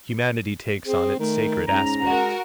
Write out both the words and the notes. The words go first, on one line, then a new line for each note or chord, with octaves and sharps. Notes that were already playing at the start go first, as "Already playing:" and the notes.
Humanity takes on its sacred aspect.
C4 G#4
D#3 A3
G#2 C#4 A#5
G#3 F#4 A#4